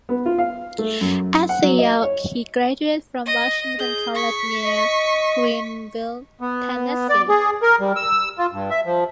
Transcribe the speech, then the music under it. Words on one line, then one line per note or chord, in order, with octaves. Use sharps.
As a youth he graduated from Washington College near Greeneville, Tennessee.
B3
F4
F5
A3
F#2
F#5
F#3
D#5
C#5
D#5
G#4 G6
C#6 B6
D#5
B3
D5
G#4
A#4
G3
E6
F4
G2
E5
F3